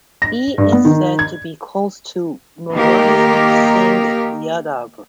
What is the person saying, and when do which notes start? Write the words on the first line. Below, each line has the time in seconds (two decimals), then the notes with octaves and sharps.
He is said to be close to Mulayam Singh Yadav.
0.22 A#6
0.58 G2
0.72 B3
0.85 D#3
1.19 G#6
2.72 D#3 A#3 G4 A#4